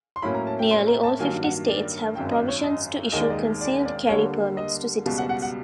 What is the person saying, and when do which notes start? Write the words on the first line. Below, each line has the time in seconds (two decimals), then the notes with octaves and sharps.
Nearly all fifty States have provisions to issue concealed carry permits to citizens.
0.16 C6
0.22 A2 F#3 A#3 C#4 E4 B5
0.34 A#5
0.47 A5
0.59 G5
0.71 C6
0.87 A#5
1.03 A5
1.19 G2 D#3 F#3 A#3 G#5
1.43 F#5
1.68 D5
2.15 G#1 F#2 D#3 G5
2.31 D#5
2.48 C#5
2.64 D#5
3.12 E1 D#2 D#3 G#3 D#5
3.22 D5
3.30 D#5
3.61 D5
3.85 D5
4.09 D3 G3 A#3 C#5
4.57 D#5
5.06 C#2 B2 G3
5.18 F#5
5.29 F#5
5.42 F#5